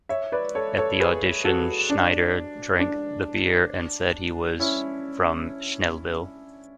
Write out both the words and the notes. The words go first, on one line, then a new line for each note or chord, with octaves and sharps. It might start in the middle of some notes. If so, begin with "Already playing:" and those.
At the audition, Schneider drank the beer and said he was from Snellville.
C#5 E5
B4 D5
A4 C#5
A4 C#5
G#4 B4
F#4 A4
D4
D4
C#4 E4